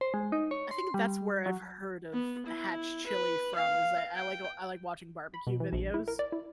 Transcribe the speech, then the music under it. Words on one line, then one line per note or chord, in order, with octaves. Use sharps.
I think that's where I've heard of hatch chili from is that I like I like watching barbecue videos.
C5
G#3
D#4
C#5
C6
G3
F#3
B3
E4
B4
F5
G5
B5
B2
E3
A#1
E4
A#4
D5
E4